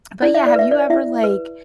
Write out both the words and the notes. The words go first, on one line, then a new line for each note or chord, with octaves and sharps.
but, yeah, have you ever, like,
E4 D5
E5
D5
B4 E5
D5
E4 E5
B4